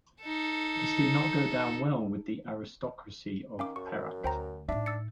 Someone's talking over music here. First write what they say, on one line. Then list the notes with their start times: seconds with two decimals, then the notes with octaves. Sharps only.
This did not go down well with the aristocracy of Perak.
0.23 D#4 A4
3.59 D#3 C#4 F5 D6
3.76 F#2 C#6
4.24 D2 C5 G5 A#5
4.69 A2 D4 D#4 E5
4.86 E6 A6 C#7